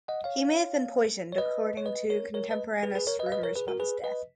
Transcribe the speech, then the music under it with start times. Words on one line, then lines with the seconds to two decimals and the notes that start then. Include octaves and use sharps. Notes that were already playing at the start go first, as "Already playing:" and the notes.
He may have been poisoned, according to contemporaneous rumors about his death.
0.08 D#5 F#5
0.24 C#5 F5
1.33 C#5
1.38 B4 D#5
1.77 C#5
1.86 B4 D#5
2.10 A#4 C#5
2.34 A#4 C#5
2.51 B4 D#5
2.83 G#4 B4
2.95 G#4 B4
3.07 A#4 C#5
3.19 B4 D#5
3.26 F5
3.32 B4 D#5
3.43 A#4 C#5
3.56 G#4 B4
3.68 F#4 A#4
3.80 G#4 B4
4.04 B4 D#5